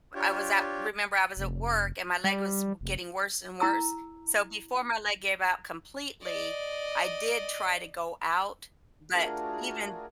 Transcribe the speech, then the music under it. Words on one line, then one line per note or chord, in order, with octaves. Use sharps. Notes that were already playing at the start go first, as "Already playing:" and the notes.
I was at remember I was at work and my leg was w getting worse and worse. So before my leg gave out completely, I did try to go out. But even
D4 F4 G4 C#5
F1
G3
F1
E4 A#5 E6
D5 D#5
A3 D4 F4 F#4 G#4 A#4